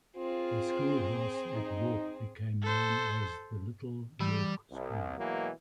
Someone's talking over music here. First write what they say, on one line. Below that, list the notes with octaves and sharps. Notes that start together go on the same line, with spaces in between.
The schoolhouse at York became known as the Little York School.
C4 F4 G#4
D#4
A4 C5
E3 G3
C2
B2 E3 F#3 G#3 A#3